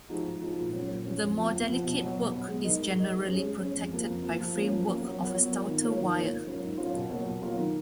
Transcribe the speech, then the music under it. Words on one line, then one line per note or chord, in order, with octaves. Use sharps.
The more delicate work is generally protected by framework of stouter wire.
F3 G#3 D#4 F#4
G#2
F3 G#3 D#4 F#4
A#2
F#3 C#4
A#2
F#3 C#4
F2
F3 B3
F2
F3 B3
B2
F#3 B3
B2
F#3 B3
G#3
D#4 A#4 D#5
G#3
D#4 A#4 D#5
G#3
C#4 G#4
G#3
C#4 G#4
F2
F3 A#3
F2
F3 A#3
F3
A#3 C#4
F3
A#3 C#4
F#3
B3 F4 A#4 C#5
F#3
B3 F4 A#4 C#5
D#3
A#3 F4 A#4 C#5
D#3
A#3 F4 A#4 C#5
G#2
F#3 C#4 F4 A#4
G#2
F#3 C#4 F4 A#4
B2
F#3 A#3 F4 A#4
B2
F#3 A#3 F4 A#4
D#3